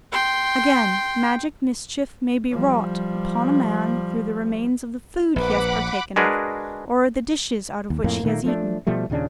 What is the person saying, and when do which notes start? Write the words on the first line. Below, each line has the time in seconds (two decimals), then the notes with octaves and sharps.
AGAIN, magic mischief may be wrought upon a man through the remains of the food he has partaken of, or the dishes out of which he has eaten.
0.13 G5 C6
2.52 F3 G3
5.36 A#1 B4 F#5 B5 D6
6.16 G#3 D4 F#4 G#4 A#4 B4
7.90 D#2
8.04 F2 A2 A#3
8.23 A#2 D#3 A3 A#3
8.44 F3 A3 D4
8.87 B2 F3 G3 A3
9.10 D#2 A#2 C#3 D4